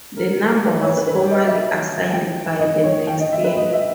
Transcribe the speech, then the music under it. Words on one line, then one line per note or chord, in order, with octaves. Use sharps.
The number was formally assigned by the next year.
A#4
B4
C#5
B4
B4
C#5
D#5
E5
G5
D#5
C#5
G5
D#5
E5
B4
D#5
E5